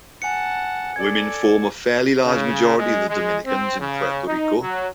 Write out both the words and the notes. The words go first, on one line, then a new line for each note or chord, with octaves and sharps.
Women form a fairly large majority of the Dominicans in Puerto Rico.
F#5 G#5 A5 C#7
A4 D5 G#6
C#3
G#3
G#3
C4
C#3
D#4
F#3